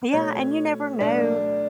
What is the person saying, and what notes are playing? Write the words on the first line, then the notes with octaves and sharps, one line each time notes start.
Yeah, and you never know
B2 A3 C#5
B2 F#3 A3 D4